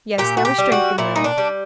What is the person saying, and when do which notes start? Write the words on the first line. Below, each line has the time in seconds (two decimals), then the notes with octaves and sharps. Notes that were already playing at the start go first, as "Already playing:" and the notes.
Yes, there was strength in them.
0.18 A#2 G4
0.37 F#4
0.45 G4
0.58 G3
0.72 F#4
0.98 A#2 E4
1.16 D#4
1.24 D4
1.38 G3